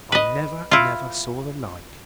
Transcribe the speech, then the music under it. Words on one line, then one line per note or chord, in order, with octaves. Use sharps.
'I never, never saw the like.
B4 D#5
E4 F4